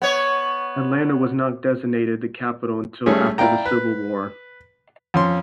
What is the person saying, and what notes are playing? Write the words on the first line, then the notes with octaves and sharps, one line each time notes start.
Atlanta was not designated the capital until after the Civil War.
B3 C#5
G3 A3 C#4 G#4
E4 D5 F5 G5 A#5
B4
F2 C#4 C6